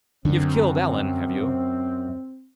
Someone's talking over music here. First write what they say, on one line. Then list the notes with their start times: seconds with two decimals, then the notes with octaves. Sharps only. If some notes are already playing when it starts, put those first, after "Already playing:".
You've killed Alan, have you?
0.25 F#2 D3 C4 D4